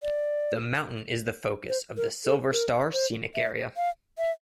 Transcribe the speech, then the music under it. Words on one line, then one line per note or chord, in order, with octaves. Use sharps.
The mountain is the focus of the Silver Star Scenic Area.
D5
C5
A#4
A4
A#4
C5
E5
F5
E5